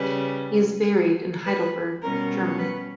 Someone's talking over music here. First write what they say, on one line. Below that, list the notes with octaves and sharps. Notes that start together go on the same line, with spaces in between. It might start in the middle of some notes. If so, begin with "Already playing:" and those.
He is buried in Heidelberg, Germany.
Already playing: C#3 G3 C#4 B4
B4
B2 G3 C#4 A#4
B4